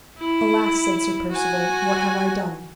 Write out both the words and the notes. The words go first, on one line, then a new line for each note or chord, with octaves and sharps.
Alas, said Sir Percivale, what have I done?
E4
F#4 G#5